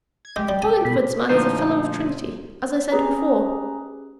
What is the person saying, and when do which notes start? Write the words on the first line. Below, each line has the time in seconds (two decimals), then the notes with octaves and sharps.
"Hollingford's man is a Fellow of Trinity, as I said before."
0.25 G#6
0.36 G#3 G4
0.49 G3
0.62 G#5
0.85 B2 B5
1.29 D2 A#2 F3 D#4 C5
2.92 C#4 G4 G#4 B4 A#5